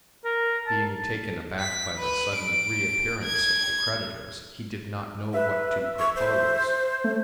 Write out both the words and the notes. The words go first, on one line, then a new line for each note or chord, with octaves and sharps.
Being taken aback by the sudden reappearance of the creditors, he did not know what to propose.
A#4
A5
B6
B4
D7
G#6
B4 E5
C#6
C5
A3